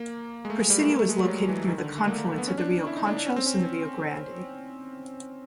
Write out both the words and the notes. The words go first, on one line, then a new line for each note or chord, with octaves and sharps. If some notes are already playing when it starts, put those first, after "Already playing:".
Presidio is located near the confluence of the Rio Conchos and the Rio Grande.
Already playing: A#3
G#3
A3
G#3
G3
A3
A#3
A3
G#3
G3
F#3
E3
D#3
D3
A3
A#3
A#3
B3
C#4
D4
E4
D#4
D4
D4
C#4
C4
C#4